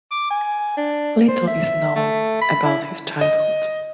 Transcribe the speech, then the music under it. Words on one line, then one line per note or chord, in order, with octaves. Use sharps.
Little is known about his childhood.
D6
G#5
D4
C5
E5
A3
B5
E4
D#5